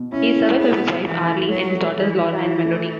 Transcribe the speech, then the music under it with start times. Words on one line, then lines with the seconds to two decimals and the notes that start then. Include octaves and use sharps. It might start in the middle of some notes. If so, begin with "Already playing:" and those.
He is survived by his wife Arlene and his daughters Laura and Melodie.
Already playing: B2
0.12 C#4 E4
0.36 A3
0.59 B3 G#4
0.81 B2
1.05 E3 E4
1.28 A3
1.50 F#3 C#5
1.74 A3
1.96 E3 G#4
2.20 E4
2.42 C#5
2.65 A3